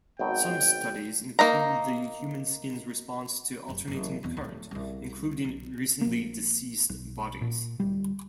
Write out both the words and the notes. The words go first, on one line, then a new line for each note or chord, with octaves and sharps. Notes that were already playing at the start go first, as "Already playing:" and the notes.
Some studies include the human skin's response to alternating current, including recently deceased bodies.
G#1 B2 F#3 G5
A#3 D#4 A#5
F#1
F#1 E3
E2 C4
D1 D2
C2 C#3
B1
A#1 A#3
B1
A#2
D1 G3